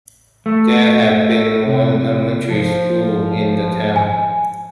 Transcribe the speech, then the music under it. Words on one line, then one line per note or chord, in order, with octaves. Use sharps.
There had been one elementary school in the town.
A3
C3
F3
G#5